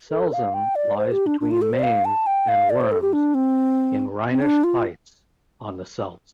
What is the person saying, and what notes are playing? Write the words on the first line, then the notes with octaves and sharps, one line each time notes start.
Selzen lies between Mainz and Worms in Rhenish Hesse on the Selz.
A4
F5
G5
D5
C5
G4
D4
D4
F4
A4
C5
D5
F5
A5
G5
F5
D5
C5
A4
G4
D4
C4
C4
D4
F4